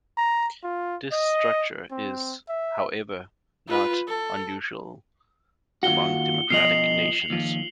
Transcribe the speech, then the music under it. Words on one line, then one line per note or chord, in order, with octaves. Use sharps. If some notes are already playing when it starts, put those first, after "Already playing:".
This structure is, however, not unusual among democratic nations.
A#5
F4
D#5
C4
E5
F4 B4
A4
D#2 F4 F#4 C#7 G7
B2 F3 D#5 C7 F7 F#7
D#2 F3